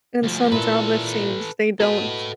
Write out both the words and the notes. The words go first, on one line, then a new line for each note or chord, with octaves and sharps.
And some job listings, they don't
D2 F3
A#2 E4 A4 B4
F#4 A4 B4 D#5 B5